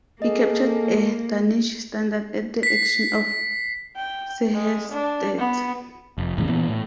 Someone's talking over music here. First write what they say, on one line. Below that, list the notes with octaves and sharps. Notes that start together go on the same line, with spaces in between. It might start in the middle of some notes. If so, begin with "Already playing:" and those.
He captured a Danish standard at the action of Sehestedt.
A#3 G#4 A4 D#5
B6 C7
G5
G#3
D4
B3
F1
G#1 E2 A2 C#3
A#2 E3 B3
A2